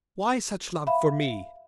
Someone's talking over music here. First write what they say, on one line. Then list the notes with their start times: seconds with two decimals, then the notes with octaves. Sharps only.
Why such love for me?
0.87 E5 F5 B5